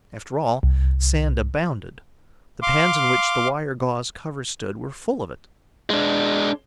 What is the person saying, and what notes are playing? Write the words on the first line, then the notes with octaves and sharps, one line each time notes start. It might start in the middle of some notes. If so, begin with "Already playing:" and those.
After all, sand abounded: the pans in which the wire-gauze covers stood were full of it.
C2
F5 C6 D6
G#3 D4